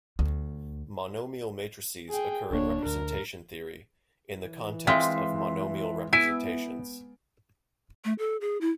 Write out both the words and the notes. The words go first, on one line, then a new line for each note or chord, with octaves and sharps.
Monomial matrices occur in representation theory in the context of monomial representations.
D2
G#4 G5
D1 D2 A#3 D4 C#5
D2 A#4
E3
G#3 C4 F4 E5 C6 B6
B3 E4 G#5 D7
A3
A4
G#4
E4